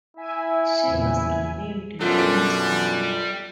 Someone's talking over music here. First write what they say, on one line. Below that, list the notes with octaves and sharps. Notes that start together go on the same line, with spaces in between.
She was renamed "Wellington".
E4 E5 G#5
E2 A#2 C#3
F#2 B2 G3 D4 F4 A4